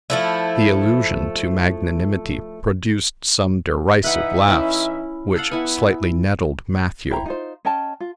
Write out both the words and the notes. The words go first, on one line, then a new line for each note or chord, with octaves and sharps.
The allusion to magnanimity produced some derisive laughs, which slightly nettled Matthew.
F3 A3 E4
E3 D#4 B4 E5 F#5
C#4 E4
A4 F5 F#5
B3 E4 G#5
E4 C5 G5 A#5
D#4 F4 C5
C#4 D#5 G5 A5
F4